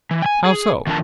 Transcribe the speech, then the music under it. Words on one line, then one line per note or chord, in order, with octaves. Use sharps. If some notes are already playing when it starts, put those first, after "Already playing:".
"How so?"
E3
G5 G#5
G#4
D#3 F3 A3 D4 A#4 A5